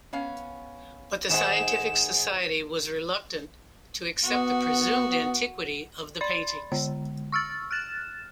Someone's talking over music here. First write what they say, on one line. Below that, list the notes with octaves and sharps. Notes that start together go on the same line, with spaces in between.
But the scientific society was reluctant to accept the presumed antiquity of the paintings.
B3 C#4 F5
G#2 D#3 G#4 C5 F#5 E7
B3 F#4
D5 B5 C6 A6
D3 G#3
C#6 E6 F6 A6
F6 F#6 A6 E7